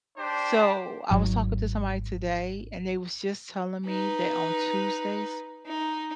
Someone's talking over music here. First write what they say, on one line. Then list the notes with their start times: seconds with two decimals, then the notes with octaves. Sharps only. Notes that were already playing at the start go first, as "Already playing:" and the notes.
So, I was talking to somebody today and they was just telling me that on Tuesdays
0.18 D4 G4 C5
1.11 G#1 G#2 F#3
3.86 D#4 B4
5.66 D#4